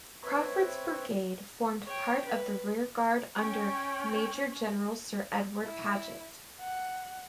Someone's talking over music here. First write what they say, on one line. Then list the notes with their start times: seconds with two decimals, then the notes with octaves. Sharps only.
Craufurd's Brigade formed part of the rearguard under Major General Sir Edward Paget.
0.24 C4 B4 C#5 E5
1.86 C#5 G5
2.26 B4
3.37 C#4 C#5 G5
5.64 E4
6.60 F#5